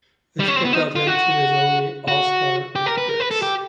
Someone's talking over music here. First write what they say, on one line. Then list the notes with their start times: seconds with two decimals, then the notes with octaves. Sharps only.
This propelled him to his only All-Star appearance.
0.40 G3
0.48 C#4
0.56 C4
0.64 B3
0.73 D#4
0.96 F4
1.07 F#4
2.08 F#4
2.75 G4
2.86 A#4
2.98 B4
3.09 A#4
3.20 B4
3.31 A4
3.42 G4